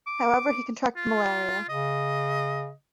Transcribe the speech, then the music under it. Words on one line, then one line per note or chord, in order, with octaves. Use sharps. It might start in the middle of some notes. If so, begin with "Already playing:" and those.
However, he contracted malaria.
D6
F4
C#3 D#5